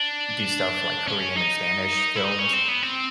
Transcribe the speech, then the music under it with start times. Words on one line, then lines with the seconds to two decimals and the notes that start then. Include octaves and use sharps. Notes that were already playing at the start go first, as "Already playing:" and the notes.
do stuff like Korean and Spanish films.
Already playing: D4
1.08 C#4
1.37 D#4
2.16 E4
2.24 D#4
2.39 C#4
2.53 C4
2.69 B3
2.82 C4